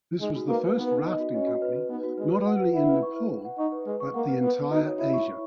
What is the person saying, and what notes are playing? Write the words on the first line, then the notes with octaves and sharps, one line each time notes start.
This was the first rafting company not only in Nepal but the entire Asia.
G#3 D#4
F#4
A#3 B4
B4
B3 D#4
D#4
D#5
F#4
C#4 D#5
F#4
B4
B4
B3 D#4
F#4
G#3 B4
B4
F#5
B4
E4 F#5
B4
C#6
B4
B4
F#5
D#4 C#6
B4
G#3 B4
C#6
A#3 F#5
B4
B3 B4
B4
D#4 F#4
C#5
E4 C#5
C#6
C#6